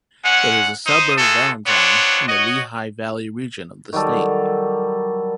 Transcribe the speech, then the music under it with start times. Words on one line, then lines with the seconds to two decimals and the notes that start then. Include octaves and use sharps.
It is a suburb of Allentown, in the Lehigh Valley region of the state.
0.25 G#3 C#4 F#5
0.87 D#4 C5 D#6
1.17 A3 F4 F#4 G#4 A4
1.66 B3 C4 D4 F4 C#5
2.28 F#4 C#5 D#5
3.93 D#3 F#3 G3 A4